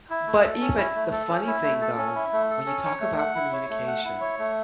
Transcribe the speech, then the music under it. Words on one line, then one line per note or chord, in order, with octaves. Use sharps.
But even the funny thing, though, when you talk about communication,
E4
A3
A4
C#4
E4
A3
A4
C#4
E4
A3
A4
C#4
E4
A3
A4
C#4
C#5
A3
F#5
E4
C#5
A3
F#5
E4
C#5
A3